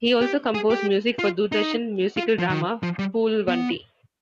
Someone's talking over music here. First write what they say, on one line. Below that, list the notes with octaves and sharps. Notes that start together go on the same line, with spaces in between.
He also composed music for Doordarshan musical drama "Phoolwanti".
G4
G#4
G4
F4
D#4
F4
F3
D#3
F3
G3
B3